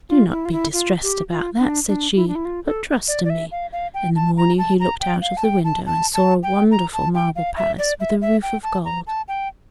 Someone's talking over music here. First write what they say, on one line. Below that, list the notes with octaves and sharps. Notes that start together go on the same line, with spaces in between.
"Do not be distressed about that," said she, "but trust to me." In the morning he looked out of the window and saw a wonderful marble palace, with a roof of gold.
F4
E4
F4
E4
F4
G4
F4
D4
D4
E4
D4
E4
F4
A4
D5
D5
E5
F5
F5
G5
A5
A#5
A5
A#5
G5
F5
A5
G5
A5
A5
A5
G5
A#5
A5
G5
F5
E5
D5
E5
E5
G5
A5
A#5
A5
G5